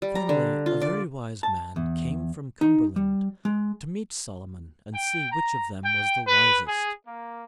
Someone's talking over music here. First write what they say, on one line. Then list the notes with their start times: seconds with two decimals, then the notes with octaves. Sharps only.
Finally a very wise man came from Cumberland, to meet Solomon and see which of them was the wisest.
0.02 G3
0.15 A#5
0.29 D3
0.66 F4
0.81 D5
1.43 A5
1.76 E2
2.61 D#4
2.96 G3
3.45 G#3
4.94 G5
5.32 A#5
5.85 G5
6.28 B4
6.67 G#4
7.07 A#3